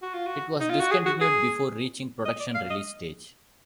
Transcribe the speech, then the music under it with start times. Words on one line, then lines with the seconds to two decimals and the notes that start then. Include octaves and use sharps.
It was discontinued before reaching production release stage.
0.02 F#4
0.14 F4
0.27 F#4
0.60 D#4
0.70 F4
0.80 F#4
0.91 G#4
1.06 F#4
1.21 G#4
2.25 D#5
2.40 D5
2.54 F5
2.70 D#5